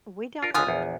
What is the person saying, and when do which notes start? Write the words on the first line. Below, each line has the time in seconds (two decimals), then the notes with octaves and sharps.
we don't
0.43 F4 A#4
0.54 C#2 D3 F4 G#5 D#6
0.67 A#1 E2